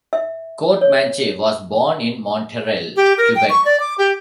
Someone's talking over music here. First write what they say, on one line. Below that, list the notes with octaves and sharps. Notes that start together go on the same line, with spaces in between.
Courtemanche was born in Montreal, Quebec.
E5
C#5
G4
A#4
G5
C#6
D5
D6
G4